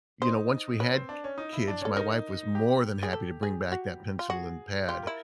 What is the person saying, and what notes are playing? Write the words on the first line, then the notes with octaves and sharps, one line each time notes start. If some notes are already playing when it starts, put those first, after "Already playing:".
you know, once we had k kids, my wife was more than happy to bring back that pencil and pad
D#4 C5
C#4 B4
C4
D4
C#4
D#4
E4
D4
C#4 A4
D#4 A#4
G4
G#4
A4
G#4
F#4
F4
F#4 G#4
F4 G4
E4 A#4